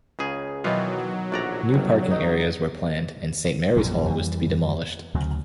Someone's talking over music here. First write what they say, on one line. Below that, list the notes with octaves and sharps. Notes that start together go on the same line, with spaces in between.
New parking areas were planned and Saint Mary's Hall was to be demolished.
C#2 C#3 G#4
B2 D#3 E3 F#3 B3 F4
A#1 F#4 A4 D5 A#5
G1 C4
D#4
A#1 F#2 B2 F3
F2 E3 G3
D2 C#3 F#3